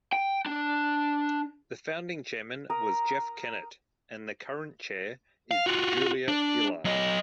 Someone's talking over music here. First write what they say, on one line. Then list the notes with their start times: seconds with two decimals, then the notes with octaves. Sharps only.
The founding chairman was Jeff Kennett and the current chair is Julia Gillard.
0.13 G5
0.46 D4
2.70 A#4 A#5 D#6
5.51 F5
5.66 F4 F#4
6.28 D4
6.85 F#3 D#5